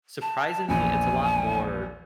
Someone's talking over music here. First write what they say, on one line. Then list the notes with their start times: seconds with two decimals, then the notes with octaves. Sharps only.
surprisingly, it's a lot more
0.21 A5
0.68 A#1 E2 G#5